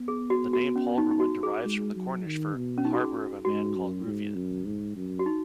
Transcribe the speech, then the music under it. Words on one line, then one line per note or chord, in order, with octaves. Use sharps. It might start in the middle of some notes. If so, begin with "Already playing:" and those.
The name Polruan derives from the Cornish for "harbour of a man called Ruveun".
Already playing: B3
G#4
F#4
F#4
C#4
D#4
D#4
F#4
G#4
G#3
F#3
D#3
B2
C#4
D#4
F#4
G#4
G#2 F#4
F#2
G#2
F#2
G#2
F#2
F#4
D#4